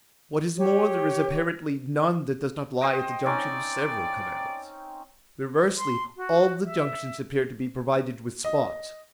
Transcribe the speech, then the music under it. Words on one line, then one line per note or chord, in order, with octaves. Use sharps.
What is more, there is apparently none that does not lie at the junction of several canals. Reversely, all the junctions appear to be provided with spots.
G4 C#5
C5 D#5 G5
C4 C#4 D#4 D5
C6
F#4
E5
D#5